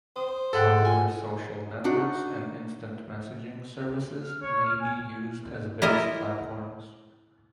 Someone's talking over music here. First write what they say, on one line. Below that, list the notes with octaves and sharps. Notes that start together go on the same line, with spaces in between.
Popular social networks and instant messaging services may be used as base platforms.
C5 D#6
G#2 G#4 A4 D#5 F#5 G5 C6
F4 G#5
D4 D#4 F#4
F6
C#5
F6
G#5
E4 F4 A#4 D#5